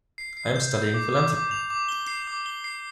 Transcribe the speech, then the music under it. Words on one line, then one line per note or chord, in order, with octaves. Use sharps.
I am studying philanthropy.
C7
C7
G6
G6
D6
D6
D6
F7
D6
G7
C7
D6
G7
C7